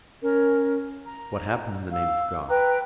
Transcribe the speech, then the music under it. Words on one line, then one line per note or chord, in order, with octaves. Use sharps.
What happened in the name of God?
C#4 A#4
A#5
F5 E6
B4 G5 A#5 F#6